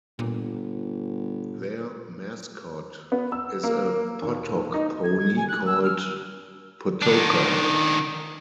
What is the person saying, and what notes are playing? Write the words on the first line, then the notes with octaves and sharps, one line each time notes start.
Their mascot is a pottok pony called "pottoka".
G1 A#2
B3
E6
A#3
D#2
D#4
G#6
G#6
G#5
F#6
E6
F6
D#3 D4